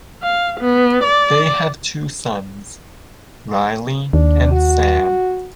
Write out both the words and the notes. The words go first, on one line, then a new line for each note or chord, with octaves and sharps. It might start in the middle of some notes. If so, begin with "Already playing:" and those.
They have two sons, Riley and Sam.
F5
B3
D5
D#2 D4
F#4